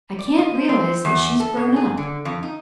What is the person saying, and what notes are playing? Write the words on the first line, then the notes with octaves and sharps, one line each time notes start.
I can't realize that she's grown up.
D5
D#5
C5
C4
E2
A4
B2
G#4
D3
F2
D#4